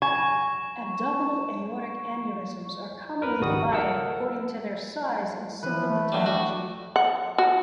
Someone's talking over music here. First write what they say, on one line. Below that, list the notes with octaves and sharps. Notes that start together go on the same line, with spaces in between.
Abdominal aortic aneurysms are commonly divided according to their size and symptomatology.
G#5 C#6
A#4 B4
G#1 C#2 D#3 G3 F#4 D#6
A4 A#4 F#5 E6
E3 F3 B4
A3
F#3 G3 B3 D4 A4
F#4
F#5
F#4